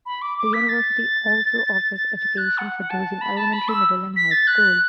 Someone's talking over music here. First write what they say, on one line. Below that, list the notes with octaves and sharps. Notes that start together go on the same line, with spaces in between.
The university also offers education for those in elementary, middle, and high school.
B5
D6
D6
B6
A6
A6
A6
F#6
F#5
F#5
A5
B5
A5
B5
E6
B6
A6
F#6